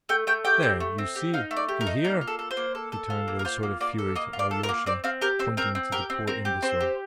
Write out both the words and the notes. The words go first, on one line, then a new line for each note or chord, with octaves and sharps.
"There, you see, you hear?" he turned with a sort of fury to Alyosha, pointing to the poor imbecile.
A3 G5
A3 G5
G4 G5
C4
A3
C4
G4
D#4 F5
A3
D5
G4
A#4
D#4
A#3 A#4
F4
A4
A4
C5
A#3
A4
A4
F4
A#3
A#4
F4 C5
A#3
A#3 D5
A4
A#3 D#5
F4
D5
A4
A#4
A#3
C4 D5
C4 F5
G4 A#4
C4 C5
C4 A#4
C4
G4 A#4
C4
C4 A#4
G4
C4 C5
G4